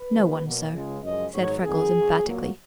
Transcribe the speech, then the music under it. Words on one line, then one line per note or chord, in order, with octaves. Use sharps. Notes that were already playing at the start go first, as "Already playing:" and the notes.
"No one, sir," said Freckles emphatically.
Already playing: B4
D#2 C#3 F3
B2 F#3 A#3
C#2 C#3 G#3
F#2 C#3 F3 G#3 D#5
G#2 D#3 F#3 B3 C#5
F2 D#3 F#3 B3 G#4
F#2 C#3 F#3
A#2 F#3 A#3